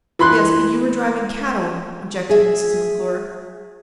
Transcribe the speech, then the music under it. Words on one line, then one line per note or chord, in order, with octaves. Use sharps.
"Yes; but you were driving cattle," objected Mrs. McClure.
E3 B5 C6 F#6
G#4 E5